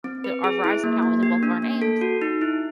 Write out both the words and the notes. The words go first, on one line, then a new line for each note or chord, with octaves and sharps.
like, th our Verizon account was in both of our names
C4
B4
G#4
E4
A#3
A#3
G4
D4
A#3
A4
F#4
D#4
E4